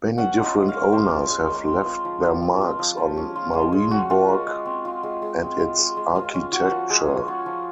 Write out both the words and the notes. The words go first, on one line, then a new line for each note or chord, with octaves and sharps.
Many different owners have left their marks on Marienborg and its architecture.
C#4 F#5
F4
D#5
G#3
F5
G#3
A#4
C#4 C5
F4
G#3
G#3
C4
F4
F3
F3
C4
F4
F3
F3
C#4
F4
G#3
G#3
C#4 F#4
F4
G#3
G#3
C4
F4
G#3
G#3
C4
F4
G#3
G#3
G#3 F4
C#4
F4 F#4
F3
G#3 G#4
C#4
F4 F#4
F3